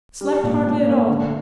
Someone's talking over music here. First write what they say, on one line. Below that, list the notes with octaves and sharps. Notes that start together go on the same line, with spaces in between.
Slept hardly at all.
G3
A#2
A#2
A#3
D3